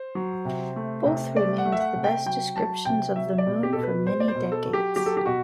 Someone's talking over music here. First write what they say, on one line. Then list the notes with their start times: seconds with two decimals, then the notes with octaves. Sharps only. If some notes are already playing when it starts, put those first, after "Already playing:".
Both remained the best descriptions of the Moon for many decades.
Already playing: C5
0.15 F#3
0.45 C3
0.76 A3
1.05 C3
1.36 A3 D5
1.58 F#5
1.66 A3
1.72 E5
1.80 F#5
1.95 C3
2.04 G5
2.26 F#3 G5
2.56 F#3 A5
2.85 C3 G5
3.16 F#3 E5
3.38 D5
3.47 B2
3.63 G4
3.73 B2 A4
3.83 B4
4.07 B2 C5
4.20 D5
4.28 C5
4.35 B2
4.52 A4
4.65 F#3
4.73 G4
4.96 F#3 G4
5.06 A4
5.17 G4
5.26 B2 F#4